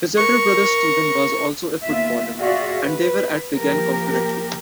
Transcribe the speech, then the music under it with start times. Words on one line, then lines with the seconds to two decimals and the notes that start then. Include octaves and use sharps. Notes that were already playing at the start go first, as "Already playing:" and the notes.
His elder brother, Steven, was also a footballer and they were at Wigan concurrently.
0.17 A#4 C#6
1.84 D#2 B3 F4 E5
2.38 F4 F#4 G#4 D5 E5 F5
2.83 B4
3.56 F3 A#3 G4 A#4